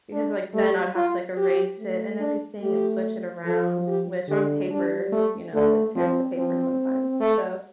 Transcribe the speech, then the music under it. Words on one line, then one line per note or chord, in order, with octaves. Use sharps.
because, like, then I would have to, like, erase it and everything and switch it around, which on paper, you know, like, tears the paper sometimes, so,
D4
G3 A3
F4
G4
A3
D4
A3 G4
F3 A4
G4
D3 G4
G3 D4
A3
D3 A3
F3 C4
F3 C4
A3